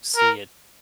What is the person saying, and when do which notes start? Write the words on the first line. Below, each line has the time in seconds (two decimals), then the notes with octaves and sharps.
see it
0.17 A#4